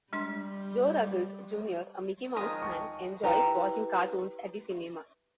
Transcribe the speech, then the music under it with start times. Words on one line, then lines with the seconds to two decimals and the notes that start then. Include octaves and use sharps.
Jo Ruggles Junior a Mickey Mouse fan, enjoys watching cartoons at the cinema.
0.13 G3 G#3 D4 C6
2.37 D#3 F3 G#3 A#4 D#5
2.62 G5 A5 C#6
3.23 E4 G4 B4 A#5